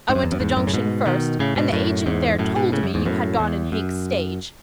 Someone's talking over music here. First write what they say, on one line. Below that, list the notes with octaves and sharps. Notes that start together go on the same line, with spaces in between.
I went to the Junction first, and the agent there told me you had gone in Hank's stage.
G#2
F#2
E2
F#2
E2 G#2
F#2 A2
C#3
G#2 B2
B2 D#3
A2 C#3
G#2 B2
F#2 A2
E2 G#2
F#2 A2
G#2 B2
A2 C#3
F#2
E2 G#2
F#2 A2
E2
F#2